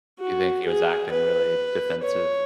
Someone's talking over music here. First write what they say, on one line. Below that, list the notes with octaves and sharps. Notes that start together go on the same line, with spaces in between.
Do you think he was acting really defensive?
F#4
G#4
B4
C#5